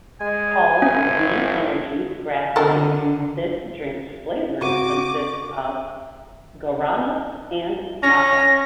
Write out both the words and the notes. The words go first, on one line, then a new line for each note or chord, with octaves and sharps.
Called V Energy Graphite, this drink's flavour consists of guarana and maca.
G#3 G#5
G1 C#4
D3 A4 A#4
C#3 C4 F#4 C#6 D6 D#7
C#4 A#6